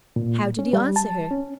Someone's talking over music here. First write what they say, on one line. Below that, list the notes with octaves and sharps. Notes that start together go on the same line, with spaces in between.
How did he answer her?
A#2
C#4
G3
A5
C#4